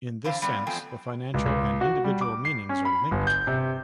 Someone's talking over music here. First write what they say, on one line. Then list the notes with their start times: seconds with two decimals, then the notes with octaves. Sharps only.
In this sense the financial and individual meanings are linked.
0.24 F2 D3 E3 C5 F5
0.42 G3 B3 C4 D5
0.67 E2 F3 A3 C4 G5 G#5
1.34 C#2
1.46 C#2
1.81 F#4
2.04 G3
2.21 D6
2.45 C7
2.69 C#4
2.85 B5
3.11 G1
3.27 G6
3.47 C3